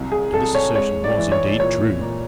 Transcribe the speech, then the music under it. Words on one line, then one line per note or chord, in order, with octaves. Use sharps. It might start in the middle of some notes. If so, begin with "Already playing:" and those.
And this assertion was indeed true.
Already playing: C2 F#3
G#4
C2 A4
C#5
G#3 C#5
D5
E3
C#5
A#2 C#5
A#2